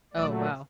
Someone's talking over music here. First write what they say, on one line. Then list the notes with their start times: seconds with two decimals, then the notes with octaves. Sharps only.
Oh, wow.
0.13 A#2 F#3 A3 D5